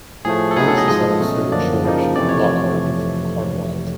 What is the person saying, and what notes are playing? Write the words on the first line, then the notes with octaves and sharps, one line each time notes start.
He was the son of Sir George Lockhart of Carnwath.
A2 F3 A3 G#4
A4
A2 F#3 B3 D#4 G#4
A4
D#5
G#2 F3 G#3 D#5
B2 F#3 A3 C#4
F#2 D3 F3 A#3 D4 D5
C#3 F3 A#3 D#4
F2 C3 E3 A3 D5
C#5